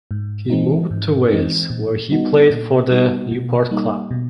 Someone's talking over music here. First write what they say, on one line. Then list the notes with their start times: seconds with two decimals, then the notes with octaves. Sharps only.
He moved to Wales where he played for the Newport club.
0.11 G#2
0.50 E3 G#3 C4 D#4
0.91 G#2
1.30 E3 G#3 C4 D#4
1.70 A#2
2.10 G3 B3 D#4 F#4
2.50 A#2
2.91 G3 B3 D#4 F#4
3.31 B2
3.71 G3 A#3 D#4
4.11 B2